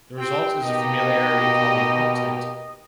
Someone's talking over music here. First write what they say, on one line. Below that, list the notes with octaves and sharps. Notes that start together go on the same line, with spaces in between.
The result is familiarly called a pup tent.
C4 G4 G5
B2 A#3 D#4 G4 D#5